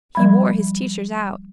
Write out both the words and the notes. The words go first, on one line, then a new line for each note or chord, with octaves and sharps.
He wore his teachers out.
F3 G3 B5